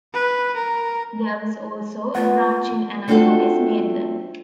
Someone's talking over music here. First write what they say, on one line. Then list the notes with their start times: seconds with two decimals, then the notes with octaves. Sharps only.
There was also a branch in Annapolis, Maryland.
0.14 B4
0.56 A#4
2.15 B3 F4 F#5
3.08 A3 C4 D4 F4 F#4 A4